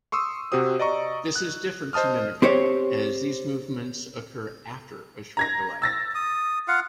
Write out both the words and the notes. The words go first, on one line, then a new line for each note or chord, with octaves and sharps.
This is different to mimicry, as these movements occur after a short delay.
C6 C#6 D#6 E6
C3 F#4 G4 C5 D#6
D5 D#5 A#5 C#6
F#6
C5 D#5 A5 D#6 F6
C4 G4 C5 C#5
A#5 G#6 A#6
E6 A6 A#6
D#6
F4 F5 F#5